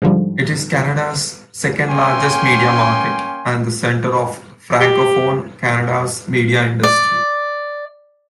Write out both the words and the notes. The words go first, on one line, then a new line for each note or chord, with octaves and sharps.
It is Canada's second-largest media market, and the centre of francophone Canada's media industry.
G#2 D3 F3 G3
A#3 C#4 G5 G#5 C6
G4
D5